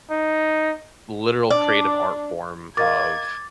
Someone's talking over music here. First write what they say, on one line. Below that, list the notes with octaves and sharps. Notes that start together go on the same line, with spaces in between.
literal creative art form of
D#4
D4 D5
A#4 D#5 F5 D6 G#6 A6